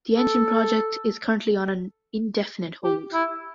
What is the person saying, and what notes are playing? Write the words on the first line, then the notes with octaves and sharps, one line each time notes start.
The engine project is currently on an indefinite hold.
A4
G4
E4